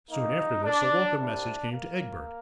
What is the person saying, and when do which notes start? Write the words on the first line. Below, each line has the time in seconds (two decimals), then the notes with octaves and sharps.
Soon after this a welcome message came to Egbert.
0.10 G2 D#3 A#3 D#4
0.65 D4
1.19 C2 C3 G3 D4
1.72 A#3